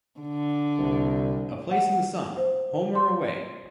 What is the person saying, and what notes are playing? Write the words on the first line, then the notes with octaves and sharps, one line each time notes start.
A Place In The Sun: Home or Away?
D3
C2
F#5
C5
C6